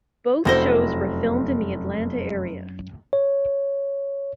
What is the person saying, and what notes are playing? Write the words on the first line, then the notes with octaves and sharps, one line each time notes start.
Both shows were filmed in the Atlanta area.
F1 F#2 E4 C5 A#6
C#5